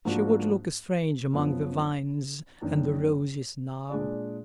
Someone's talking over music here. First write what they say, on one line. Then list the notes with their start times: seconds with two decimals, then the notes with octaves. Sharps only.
"She would look strange among the vines and the roses now."
0.05 G#2 F3 A#3 D4 F#4
1.33 F#2 F3 B3
2.61 F#2 D#3 A#3 D4
3.90 A#2 G#3 D4 G#4 D5